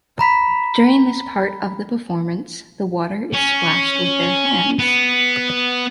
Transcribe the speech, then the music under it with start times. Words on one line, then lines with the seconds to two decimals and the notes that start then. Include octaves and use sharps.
During this part of the performance, the water is splashed with their hands.
0.19 A#5 B5 B6
3.34 C#4
4.79 B3